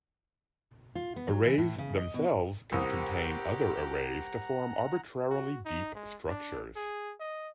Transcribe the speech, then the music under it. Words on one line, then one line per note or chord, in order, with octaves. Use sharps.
Arrays themselves can contain other arrays to form arbitrarily deep structures.
F4
B3
F#3
E3
A2
C#3
D#5
B2
C2 G4 A#4 C5 F#5 A#5 D#6
F#4
D#4
G#3
D4
G#4
D#5